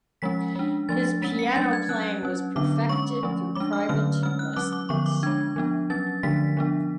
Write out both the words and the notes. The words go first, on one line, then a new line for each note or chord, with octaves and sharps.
His piano playing was perfected through private lessons.
F3 G#3 C#4 B6
G#3 D4
F3 A3 D4 A6
G#3 C#4 B6
C#7
F#3 A3 D4 A6
G#6
F#3 C#4 F#6
F#3 C#4
D3 F#3 B3 D4 D6
G#3 C#4 C#6
F3 A3 C#4
G#3 D4 D6
F6
D3 F#3 A3 C#4 F6
G#3 C#4 F6
F#6
F#3 C#4 D6
D6
D3 F3 B3 C#6
D6
G#3 D4 G#6
F3 B3 D4
F#3 C#4 A6
D3 F3 A3 D4 B6
F3 B3 D4